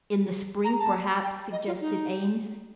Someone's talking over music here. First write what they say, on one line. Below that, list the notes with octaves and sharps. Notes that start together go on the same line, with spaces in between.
"In the spring, perhaps," suggested Eames.
A#5
A5
G5
D#5
F4
D#4